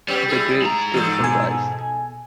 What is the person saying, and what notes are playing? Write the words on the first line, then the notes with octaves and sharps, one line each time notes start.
The grave still survives.
G3 B3 C#4 G4
E4 G#4
G#2 A#5
E3 D#4 A4
B2 G#5